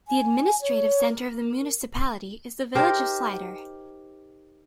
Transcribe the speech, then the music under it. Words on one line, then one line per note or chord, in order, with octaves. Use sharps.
The administrative centre of the municipality is the village of Slidre.
G#5
C#5
A#4
D#4 G4 A#4 C5